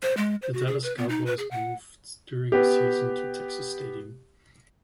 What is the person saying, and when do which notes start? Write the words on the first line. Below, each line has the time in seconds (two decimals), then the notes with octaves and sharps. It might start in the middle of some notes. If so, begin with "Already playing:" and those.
The Dallas Cowboys moved during the season to Texas Stadium.
0.03 C5
0.17 G#3
0.42 C5
0.53 F#4
0.67 G#4
0.83 B4
0.98 B3
1.09 D#4
1.26 B4
1.39 G#4
1.51 F#5
2.52 B3 G4